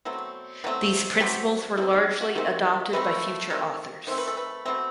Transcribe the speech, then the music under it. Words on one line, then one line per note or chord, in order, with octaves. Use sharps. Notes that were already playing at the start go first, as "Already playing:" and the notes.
These principles were largely adopted by future authors.
B2 F#3 A3 C4
B2 F#3 A3 C4
B2 F#3 A3 C4 G4
B2 F#3 A3 C4 E4
D#4
F#4
D#3 A3 C4
D#3 A3 C4 B4
D#3 A3 C4
D#3 A3 C4 C5
B4
A4
B4
B2 A3 C4